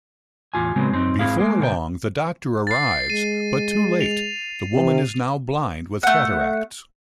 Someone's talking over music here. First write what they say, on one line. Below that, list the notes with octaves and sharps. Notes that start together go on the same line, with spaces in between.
Before long, the doctor arrives, but too late-the woman is now blind with cataracts.
E2 A2 F4 G#5
A2 C#3 F#3 G#3 B3 C4
F#2 C4 D#4
G#2 F#3 C4 E4 G#4 F5
G#3 A#3 A#4
B2 D3 C#5 G5
A6 C7
G#3 D#7
F7
C3
A3 F#5